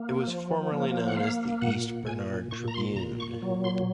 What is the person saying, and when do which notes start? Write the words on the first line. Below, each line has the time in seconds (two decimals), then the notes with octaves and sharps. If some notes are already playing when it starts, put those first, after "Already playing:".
It was formerly known as the East Bernard Tribune.
Already playing: A#3
0.27 F3
0.72 A#3
1.08 F#5
1.16 A#3 F5
1.61 A#2 F#5
2.07 A#2 G#5
2.51 A#2 C#6
2.68 A#5
2.74 C6
2.96 A#2 A#5
3.20 C#6
3.42 F#3
3.64 C6